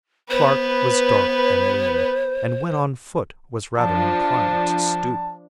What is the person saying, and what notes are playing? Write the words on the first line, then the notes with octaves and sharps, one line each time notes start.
Clark was dark and lean, and when on foot was rather inclined to stoop.
B3 B4 C5
F3 D4 A5